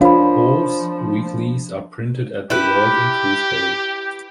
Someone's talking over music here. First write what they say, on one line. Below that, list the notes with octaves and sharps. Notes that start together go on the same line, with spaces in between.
Both weeklies are printed at "The World" in Coos Bay.
F3 D4 F4 A#4 C5 C#5 F5 B5
E4 G4 B4